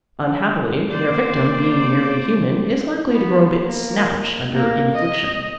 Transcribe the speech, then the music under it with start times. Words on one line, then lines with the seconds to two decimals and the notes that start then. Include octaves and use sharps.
Unhappily, their victim being merely human, is likely to grow a bit snappish under infliction.
0.89 A#3 C5 D5
3.09 B3
3.63 A#3
4.54 A#3
4.95 D#5